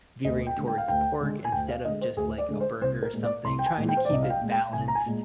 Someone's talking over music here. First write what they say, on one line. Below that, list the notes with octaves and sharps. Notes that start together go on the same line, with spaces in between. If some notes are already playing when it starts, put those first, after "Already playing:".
veering towards pork instead of just, like, a burger or something trying to keep it balanced
D2 D#5
G5
D3 G#3
G5
F5
D2 G5
D3 G#3
G#5
D2 G5
F5
D3 G#3 D#5
C5
D2 G#4
D5
D3 G#3
C5
C2 C5
A#4
A#2 G#3
D5
C2 C6
G5
G#5
A#2 G#3
G5
C5
D5
C2 D#5
F5
G5
A#2 G#3
G5
C2 G#5
A#5
G#5
A#2 G#3